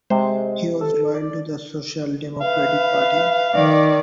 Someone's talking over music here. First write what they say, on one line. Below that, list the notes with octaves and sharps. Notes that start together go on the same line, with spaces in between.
He was loyal to the Social Democratic Party.
C3 G#3 C5
A4
D5
B4 E5 F5
D#3 D5